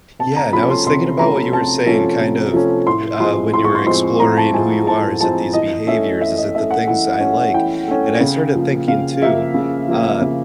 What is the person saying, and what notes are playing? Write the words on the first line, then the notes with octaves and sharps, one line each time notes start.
Yeah, and I was thinking about what you were saying, kind of, k uh, when you were exploring who you are, is it these behaviors? Is it the things I like? And I started thinking too, uh,
C3 A5
A#5
F3 A3 C#4 B5
C6
C3 C6
F3 A3 C#4 A#5
C3 A5
F3 A3 C#4
C3
F3 A3 C#4
A2 C6
F3 G#3 C4 C6
A2 C6
C#6
C6
F3 G#3 C4 C6
A2 A#5
A5
F3 G#3 C4 G#5
A2 A5
F3 G#3 C4 A5
E3 D#5
A3 C#4 E5
E3 E5
D#5
A3 C#4 E5
F#5
E3 F#5
A3 C#4
E3 G5
A3 C#4
C#3
F3 A#3
C#3 F5
F3 A#3 E5
C#3
F3 A#3
C#3